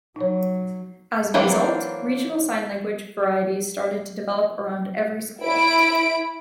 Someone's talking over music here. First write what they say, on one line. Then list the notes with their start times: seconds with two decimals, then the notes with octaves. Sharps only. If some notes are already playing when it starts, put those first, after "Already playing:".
As a result, regional sign language varieties started to develop around every school.
0.16 F#3 D#4 C#5
1.34 E3 F#3 A#3 C4 D4
5.43 E4 B5 D7